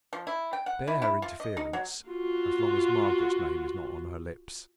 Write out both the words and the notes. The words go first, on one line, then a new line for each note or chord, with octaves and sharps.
I can bear her interference, as long as Margaret's name is not on her lips.
F3
E4
G5
F#5
E4
E4
F4
D#5
D#4
F#3
F4 F#4